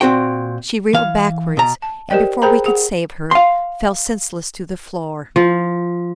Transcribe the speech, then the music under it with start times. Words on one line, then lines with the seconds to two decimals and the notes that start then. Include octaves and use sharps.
She reeled backwards, and before we could save her, fell senseless to the floor.
0.01 A#2 C4 F#4 G5
0.93 E3 F5
1.57 B2 A#5
1.82 A5
2.10 G4 A#4 C5 D5 D#5 G5
2.42 G#4 A#4 C5 G5 A#5 B5
2.66 G#4 F#5
3.31 F5 C6
5.36 F3